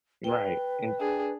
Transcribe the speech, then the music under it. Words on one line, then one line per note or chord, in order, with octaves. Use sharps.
Right, and
B4 G5
D4 G#4